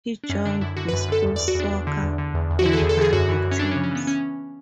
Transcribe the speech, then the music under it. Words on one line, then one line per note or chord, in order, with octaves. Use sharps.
He joined the school's soccer and rugby teams.
D4
F#2 C#4
D3 D4
F#2 E4
D3 F#4
B4
F#2
B4
D3 A4
E2
D5
E2
F#4
E2 D4
E2
D3
E2
D3
E2
E2
F#4
D3 E4
A4
G#4
E2
A4
D3 G#4
F#2 F#4
E3
F#2
C#4
E3 D4
C#4
C#3
C#4
E3 B3
C#4